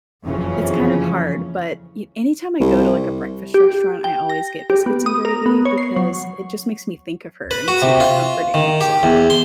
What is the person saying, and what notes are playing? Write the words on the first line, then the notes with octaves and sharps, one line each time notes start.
It's kind of hard but y anytime I go to, like, a breakfast restaurant, I always get biscuits and gravy because it just makes me think of her and it's super comforting. So,
F#1 F2 C#3 E3 F3 C#4
C2
G4
G5
A#6
G4
B3
D#6
A#4
B3
C#5
C7
F#3
B4
F#4
C3
F4
D#3
G4
E2
C6